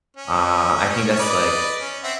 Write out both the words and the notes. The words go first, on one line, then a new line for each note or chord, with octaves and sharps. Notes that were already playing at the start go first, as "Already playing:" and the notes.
Uh, I think that's, like,
C#4
B4 D5 D#5
C#4
C4 E5 F#5